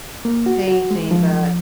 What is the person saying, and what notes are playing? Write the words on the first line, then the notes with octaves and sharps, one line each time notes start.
painting, but,
A#3
F#4
F#4
G#3
F3
F3